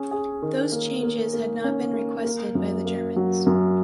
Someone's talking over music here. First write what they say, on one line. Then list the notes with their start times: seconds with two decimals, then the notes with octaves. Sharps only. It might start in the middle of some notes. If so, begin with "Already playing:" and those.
Those changes had not been requested by the Germans.
Already playing: C#4 G#4
0.11 G#4
0.42 D#3
0.72 A#3
1.03 A#3
1.33 A#3
1.64 C#4
1.94 A#3
2.24 A#3
2.55 F#2
2.86 A#3
3.16 F#3
3.46 F#2